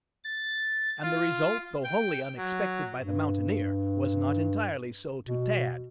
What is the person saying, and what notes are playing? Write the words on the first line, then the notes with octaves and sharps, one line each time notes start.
And the result, though wholly unexpected by the mountaineer, was not entirely so to Tad.
A6
F4
G5
F#3
G2
B2